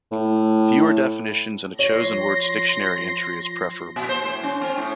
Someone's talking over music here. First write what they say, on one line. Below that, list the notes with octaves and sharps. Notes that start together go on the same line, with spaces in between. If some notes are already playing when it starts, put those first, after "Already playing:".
Fewer definitions in a chosen word's dictionary entry is preferable.
A2
F3 C#5 C6 A#6
A#2
C5
A2
C#4
C4
A2